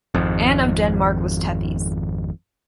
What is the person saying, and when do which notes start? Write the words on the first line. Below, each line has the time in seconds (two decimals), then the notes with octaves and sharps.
Anne of Denmark was Tethys.
0.15 G#1 F2